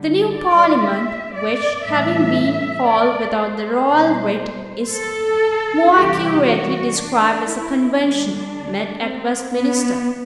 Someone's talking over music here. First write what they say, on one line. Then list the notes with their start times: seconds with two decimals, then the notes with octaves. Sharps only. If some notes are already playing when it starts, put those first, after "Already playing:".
The new Parliament, which, having been called without the royal writ, is more accurately described as a Convention, met at Westminster.
Already playing: D3 G3
0.33 D5
0.83 E5
1.34 D5
1.85 A2 E3 G3 E5
2.88 D5
3.39 C5
3.90 B2 G3
4.92 A4
5.95 C3 E3 G3 G4
6.46 F#4
6.97 D4
7.48 E4
7.99 D3 G3 D4
9.02 C4
9.52 B3